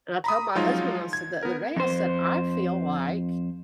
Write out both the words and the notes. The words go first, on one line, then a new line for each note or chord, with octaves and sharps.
And I told my husband, I said the other day, I said, "I feel like"
A#5 B5 D#6
F3 F#3 G#3 D#4 F4
G#6
B3 A#4
F2 C5